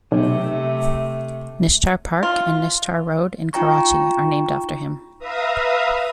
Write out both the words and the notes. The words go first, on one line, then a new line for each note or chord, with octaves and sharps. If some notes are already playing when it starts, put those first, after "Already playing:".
Nishtar Park and Nishtar Road in Karachi are named after him.
B1 C3 A3
F4
D#4 F4 G5 A#5 C#6
B4 E5 F5 A#5 D#6